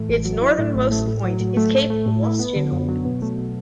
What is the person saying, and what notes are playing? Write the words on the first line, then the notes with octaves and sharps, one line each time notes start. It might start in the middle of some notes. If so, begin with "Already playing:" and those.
Its northernmost point is Cape Wolstenholme.
Already playing: A2 E3 A3
A1
F#3
E4
A2
A1
A3
A2
F#3
A2
A3
A2
A3
A2
E4
B3
D3
F#2
F#3
B2
A3
B2